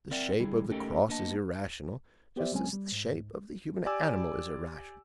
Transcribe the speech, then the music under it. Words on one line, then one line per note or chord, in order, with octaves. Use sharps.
The shape of the cross is irrational, just as the shape of the human animal is irrational.
C4 A#4 D5 E5 F#5 G5
D3 G3 E4 G#4
A3 C#4 D#4 G4 A4 A#4
A#3 B3 D4 D#5 A5
B3 G4 C5 D5 E5
C#2 F#3 G#3 C4 C#4 G#5
G3
G#2
G4 D5 G#5 D6 E6